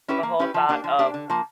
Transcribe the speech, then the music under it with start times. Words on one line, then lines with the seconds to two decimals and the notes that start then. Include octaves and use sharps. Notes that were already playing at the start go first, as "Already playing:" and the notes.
the whole thought of,
0.08 C#4 E4 G4 B4
0.23 A#3
0.39 C#4 E4 G4 B4
0.54 F3
0.69 A#3 D4 G4
0.84 F3
0.99 A#3 D4 G4
1.14 D3
1.30 F3 A#3